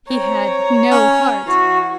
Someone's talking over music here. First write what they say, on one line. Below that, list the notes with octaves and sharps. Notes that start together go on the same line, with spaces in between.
He had no heart.
C4 C#5 A#5
C#4
E3 F#4